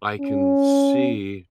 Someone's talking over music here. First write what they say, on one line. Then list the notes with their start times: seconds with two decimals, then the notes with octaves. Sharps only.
I can see
0.21 C#4